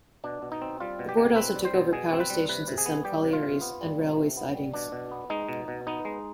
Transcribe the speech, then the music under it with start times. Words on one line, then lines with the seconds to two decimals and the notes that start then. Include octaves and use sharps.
The board also took over power stations at some collieries and railway sidings.
0.24 B2 D4
0.42 B2
0.52 D#4
0.62 C4
0.80 G3 F4
0.99 B2
1.09 G4
1.17 B2
1.36 C4 B4
1.56 G3
1.65 C5
1.74 B2
1.92 B2 G#4
2.12 C4
2.20 B4
2.30 G3
2.49 C3 B4
2.68 C3
2.78 G#4
2.86 B3
3.05 G3 G4
3.24 C3
3.33 F4
3.43 C3
3.61 B3
3.81 G3
3.99 C3
4.17 C3
4.37 B3
4.55 G3
4.74 B2 D4
4.92 B2
5.12 B3
5.30 G#3 D#4
5.49 B2
5.68 B2
5.87 B3 D#4
6.05 G#3